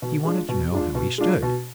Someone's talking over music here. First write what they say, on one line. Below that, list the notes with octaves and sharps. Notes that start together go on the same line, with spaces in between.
He wanted to know how he stood.
B2
G#3 D4 F4
B2
G#3 D4 F4
B2
G#3 D4 F4
B2